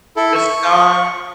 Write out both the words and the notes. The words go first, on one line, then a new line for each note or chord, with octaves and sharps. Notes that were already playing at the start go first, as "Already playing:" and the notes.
The star
E4 A4
C#6